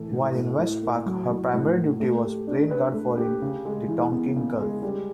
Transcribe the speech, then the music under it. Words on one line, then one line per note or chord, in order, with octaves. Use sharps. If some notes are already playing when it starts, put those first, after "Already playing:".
While in WestPac, her primary duty was plane guard for in the Tonkin Gulf.
Already playing: A2 E3 A3
A2
A3
A2
A#3
F#3
A2
A2
A#3
A3
G4
D4
B4
A3
G4
C#3
G#3
E3
B3
C#3
G#3
G3